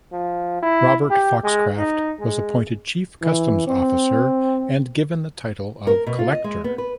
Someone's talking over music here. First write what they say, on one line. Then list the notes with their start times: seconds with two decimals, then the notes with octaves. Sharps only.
Robert Foxcroft was appointed chief customs officer and given the title of Collector.
0.12 F3
0.63 E4
1.10 G4
1.44 G#3
1.78 D#4
2.20 G#3
3.23 E3
3.67 C4
5.87 A#4
6.07 B2
6.19 F4
6.32 D#5
6.44 G#3
6.64 B3
6.78 B4